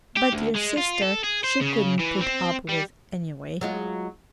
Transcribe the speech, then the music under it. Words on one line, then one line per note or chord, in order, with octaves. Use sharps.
But your sister she couldn't put up with, anyway.
G4
D2
G#3
F4
A4
G#4
C5
C#3
E3
C4
G3
F#3 G#3 F4